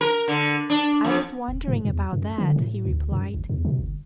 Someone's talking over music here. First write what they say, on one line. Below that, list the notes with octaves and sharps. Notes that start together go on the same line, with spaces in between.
"I was wondering about that," he replied.
A#4
D3
D4
F2
D#1
G#2
E2
F#2
D3
A2
D2
F#2
G#1
E2
B2
G1